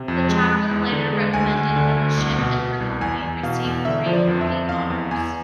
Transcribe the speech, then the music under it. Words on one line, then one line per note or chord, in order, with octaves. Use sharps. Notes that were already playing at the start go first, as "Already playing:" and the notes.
The chaplain later recommended that the ship and her company receive bravery honours.
Already playing: C3
F2
G#3
G#3
E2
D3
G#3
D2 G#5
D2
D3
D2
C2
B2
B2
C2
E2 G#5
E2
B2 F5
E2
D3 E5
F3
D5
F2
E5
F2
E2 F5
E2
E2 G#5